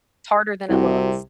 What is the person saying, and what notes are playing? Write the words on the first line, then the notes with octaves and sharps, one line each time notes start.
T harder than it looks.
C2 C3 E4 F#4